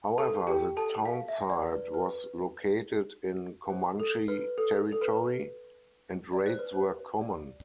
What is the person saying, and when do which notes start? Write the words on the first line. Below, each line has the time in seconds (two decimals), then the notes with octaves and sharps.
However the townsite was located in Comanche territory and raids were common.
0.18 A4 A5
0.47 G4 G5
0.77 A4 A5
1.05 F5
1.28 E5
1.50 D5
1.72 B4
1.94 B4
3.70 C5
4.00 A4
4.28 B4
4.58 A4
4.92 A4
5.01 B4
6.33 D5
6.46 C5
6.59 B4
6.73 C5
7.21 D5